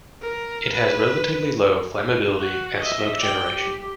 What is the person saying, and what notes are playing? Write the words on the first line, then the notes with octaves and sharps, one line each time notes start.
It has relatively low flammability and smoke generation.
A#4
B4
F#4
D#5 E5
D5 G5
G4